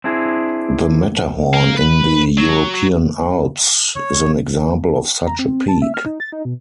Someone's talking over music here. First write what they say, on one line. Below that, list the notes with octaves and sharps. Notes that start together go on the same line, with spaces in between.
The Matterhorn in the European Alps is an example of such a peak.
C4 D4 E4 G#4
A#4 F5
B4
F#3
C#5
A#5
C4
A5
E5
F6
D#4
A6
D#4
B2